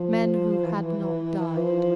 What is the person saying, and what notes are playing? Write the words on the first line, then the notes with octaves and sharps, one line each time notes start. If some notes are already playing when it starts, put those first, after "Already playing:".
Men who had not died!
Already playing: F3
E3
F3